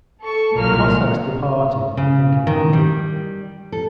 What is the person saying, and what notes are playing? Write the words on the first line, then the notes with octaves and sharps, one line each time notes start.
The Cossacks departed, thinking hard.
A4 C#6
C2 A#2 F#3 A#3 F6
C#3
D#3
G3
A4